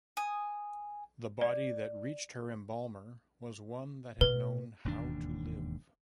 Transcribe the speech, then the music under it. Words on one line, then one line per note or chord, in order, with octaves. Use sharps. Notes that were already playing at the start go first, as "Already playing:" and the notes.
The body that reached her embalmer was one that had known how to live.
G#5 D#6
D5
B2 B4
E1 D#2 G#2 D4